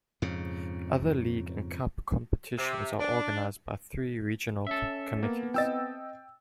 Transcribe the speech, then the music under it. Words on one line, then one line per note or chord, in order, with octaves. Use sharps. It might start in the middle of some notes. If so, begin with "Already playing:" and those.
Other league and cup competitions are organised by three regional committees.
F2 G#2 C#3
C3
D4
C#4 A4 E5
A#3 B3
C4 D#5 G5 E6 A6